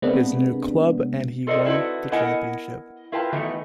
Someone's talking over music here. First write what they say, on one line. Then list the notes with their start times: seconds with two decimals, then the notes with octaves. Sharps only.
His new club and he won the championship.
0.02 C3 G#3 A#3 B3 D4
1.47 F4 A4 A#4 C5 D5 D#5
1.65 C4 D#4 E4 F#4 A4 B4
2.12 B3 E4 A#4 D#5 F#5 G#5
3.12 E4 F4 A#4 B4 G5 A5
3.33 D#3 E3 F#3 A3 B3 D#4